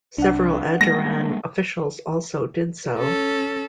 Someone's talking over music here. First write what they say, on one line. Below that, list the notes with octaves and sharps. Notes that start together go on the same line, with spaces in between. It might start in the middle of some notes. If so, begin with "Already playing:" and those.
Several Adjaran officials also did so.
C2 D4 F#5
G3 G#3 A#3 A#6
C#4 A4